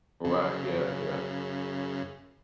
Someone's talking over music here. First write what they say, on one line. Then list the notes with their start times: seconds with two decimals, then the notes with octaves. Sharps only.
Right, yeah, yeah.
0.25 F#2 C#3